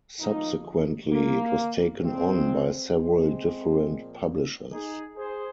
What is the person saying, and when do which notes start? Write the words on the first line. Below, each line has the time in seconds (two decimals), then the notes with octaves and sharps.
Subsequently, it was taken on by several different Publishers.
0.20 F2 F3 A#3 D#4
1.11 A#3
2.00 A#2 F3 G#3 C4
2.91 G#3 C4
3.82 A#2 F3
4.72 D#4 G#4
5.17 G#4 C5